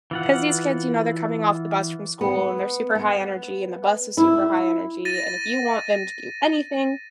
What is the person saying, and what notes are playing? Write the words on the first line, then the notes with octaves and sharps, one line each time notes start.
'Cause these kids, you know, they're coming off the bus from school and they're super high energy, and the bus is super high energy, and if you want them to do anything,
E3 F4 F#5
B3
B3
E4
A6 A#6 D#7